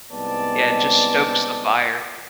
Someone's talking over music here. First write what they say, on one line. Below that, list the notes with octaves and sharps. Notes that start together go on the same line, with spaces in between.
Yeah, it just stokes the fire.
C2 G#2 B3 C4 D5 A5